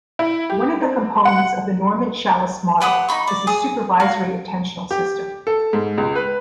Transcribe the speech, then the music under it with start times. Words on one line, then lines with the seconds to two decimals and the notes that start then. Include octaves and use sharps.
One of the components of the Norman-Shallice model is the supervisory attentional system.
0.19 E4
0.50 G4
0.81 C4
1.25 F#5
2.80 G4 B4 F#5 D#6
3.09 D#4 C5 B5 C#6
3.27 D5
3.47 G#4 D#6
4.00 F#4 F5
4.91 G4
5.47 A4
5.73 G#2
5.98 C#2
6.15 B4